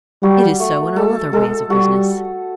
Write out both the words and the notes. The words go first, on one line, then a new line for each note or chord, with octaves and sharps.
It is so in all other ways of business.
G3 F#4
A3
G#3 A4
G#3 A4
G3 F#4